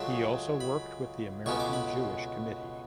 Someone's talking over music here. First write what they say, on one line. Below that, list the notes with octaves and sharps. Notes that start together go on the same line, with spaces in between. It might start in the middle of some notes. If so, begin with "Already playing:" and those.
He also worked with the American Jewish Committee.
Already playing: C#2 C#3 F#3 A3 E5
B5
C#2 B2 A3 C#4 C#6
D6
B5